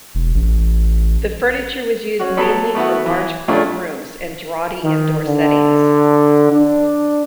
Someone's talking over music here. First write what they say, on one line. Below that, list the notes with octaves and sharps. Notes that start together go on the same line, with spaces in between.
The furniture was used mainly for large cold rooms and draughty indoor settings.
E1
A1
C#4 F#4
F#3 B3 A4 B5
A3 B3 E4 F#4
E3
F2 A#2 A3 C#4 D4 F4
D#3
D3
D4